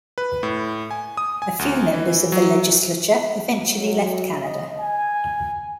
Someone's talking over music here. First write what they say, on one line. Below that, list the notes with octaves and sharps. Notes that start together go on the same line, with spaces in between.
A few members of the Legislature eventually left Canada.
B4
A2
G#5
D#6
G#5
D2
E3
E3
F#3
F#3
D#5
G#5